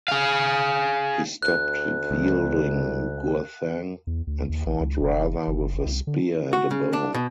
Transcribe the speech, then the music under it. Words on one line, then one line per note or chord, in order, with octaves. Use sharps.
He stopped wielding Gurthang and fought rather with a spear and a bow.
G#4 F5
D2 F#6
C#2
E2
D2
D#2
A#1
C#2
F1
F#1
G1
C2
D3
F#4
C#3
D4
B2